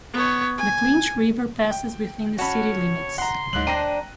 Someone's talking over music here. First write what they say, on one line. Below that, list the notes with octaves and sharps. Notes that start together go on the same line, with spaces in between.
The Clinch River passes within the city limits.
B3 C#5
G#5
G5
C#4 F#4 C#5 A5 B5
F#5 A#5 C6
D2 G#2 F#3 F#6 F#7
D4 C5 G5 A#5 A#6 D#7